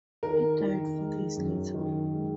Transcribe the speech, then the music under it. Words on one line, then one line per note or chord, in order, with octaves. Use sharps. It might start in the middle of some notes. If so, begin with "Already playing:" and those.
He died four days later.
D#3 A#4
D#3
G#3
F#2
D#3
G#3